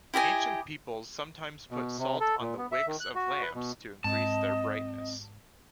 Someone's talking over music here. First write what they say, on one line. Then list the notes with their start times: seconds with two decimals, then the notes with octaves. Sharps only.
Ancient peoples sometimes put salt on the wicks of lamps to increase their brightness.
0.14 E4 G4 D#5 G#5
1.71 B2
1.99 C3
2.20 A4
2.40 A#2
2.58 B3
2.72 E5
2.87 D#3
3.00 F#6
3.15 F#4
3.42 B4
3.55 B2
4.04 G#2 C4 D#5 A5